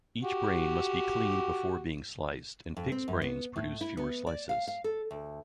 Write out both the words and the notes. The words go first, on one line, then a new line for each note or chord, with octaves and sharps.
Each brain must be cleaned before being sliced and pigs' brains produce fewer slices.
F#4 G4
F2
C4
F#2
B3
A2
E4
B3
D5
F5
F5
A4
D2